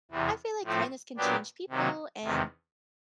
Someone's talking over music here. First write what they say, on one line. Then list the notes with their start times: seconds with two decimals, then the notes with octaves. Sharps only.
I feel like kindness can change people, and
0.11 E2 C3 E3
0.64 A2 F3 A3 C4
1.17 A#2 F#3 B3 D4 G4
1.70 C3 D#3 F#3 A#3
2.23 E2 C3 D#3